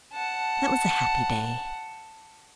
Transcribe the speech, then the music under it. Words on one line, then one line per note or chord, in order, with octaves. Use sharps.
That was a happy day.
F#5 A5